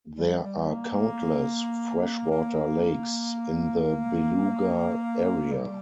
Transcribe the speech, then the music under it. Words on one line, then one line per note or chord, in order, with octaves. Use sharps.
There are countless freshwater lakes in the Beluga area.
G3
G3
A#3
A#3
G3